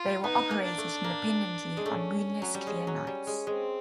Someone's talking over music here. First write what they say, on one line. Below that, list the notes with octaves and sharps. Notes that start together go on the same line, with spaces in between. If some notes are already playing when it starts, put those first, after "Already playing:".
They were operated independently on moonless clear nights.
Already playing: F4
B3 D#4
A#3
D4
A3
A#3
G#3
A3 C#4
F#3
G3
G#3
F#3
G3
G#3
G#3 C4